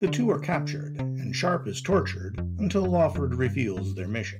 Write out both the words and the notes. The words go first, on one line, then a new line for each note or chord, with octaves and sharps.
The two are captured and Sharpe is tortured until Lawford reveals their mission.
D3
D3
C3
F#2
F2
F#2
F2
G2
G2